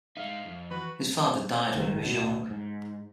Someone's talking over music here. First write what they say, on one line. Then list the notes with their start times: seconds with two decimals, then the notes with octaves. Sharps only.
His father died when he was young.
0.17 G#3 D#4 E5 F5
0.45 F2
0.71 E3 F#4 B4
1.74 F#1 D#3
2.05 D2 B2
2.50 G#2